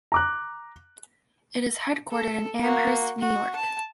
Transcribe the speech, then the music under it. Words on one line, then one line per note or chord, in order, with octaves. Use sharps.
It is headquartered in Amherst, New York.
A#5 D6 F#6
A4
A#3 F#4
F#4
A5